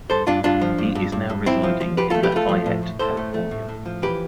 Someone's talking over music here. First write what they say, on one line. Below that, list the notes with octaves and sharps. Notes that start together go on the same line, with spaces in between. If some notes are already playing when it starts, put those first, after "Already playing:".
He is now residing in Lafayette, California.
G2 A4 C5
G2 D4 F4
G2 D4 F4
F3
G2
G2
G2
G2
G2 C4 E4
F3
F3
F3 G4 B4
A3 F4 A4
G4 B4
A3 F4 A4
F3
A2
A2
A2 A4 C5
A3
A3
A2
A2
F3
E3 G4 B4